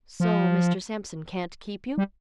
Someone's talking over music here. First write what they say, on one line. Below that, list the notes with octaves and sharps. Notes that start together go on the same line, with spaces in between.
"So Mr. Sampson can't keep you?"
F3
G3